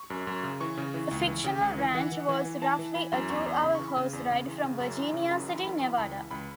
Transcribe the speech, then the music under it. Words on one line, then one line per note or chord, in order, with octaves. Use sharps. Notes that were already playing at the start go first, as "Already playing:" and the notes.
The fictional ranch was roughly a two-hour horse ride from Virginia City, Nevada.
Already playing: C#6
F#2
F#2
C#3
E3 C#6
C#3
E3
C#2
E3
C#3
C#2
E3
E3 F#5
E3
E3
E3
E3 A5
E3
E3 B5
F#2
E2 C#6
E2
C#3 B5
E3 C#6
B5
C#3
E2
C#3
E3
C#3
F#2
E3
C#3
F#2 B5
E3
F#2 B5
E3
C#2 B5
E3
C#2 B5